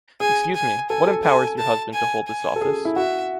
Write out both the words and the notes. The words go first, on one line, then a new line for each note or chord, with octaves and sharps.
Excuse me, what empowers your husband to hold this office?
G#4 G#5
G#5
A4 G#5
A4
A4 G#5
A5
G#5
G#5
A4
G#4
E4
F#4 E5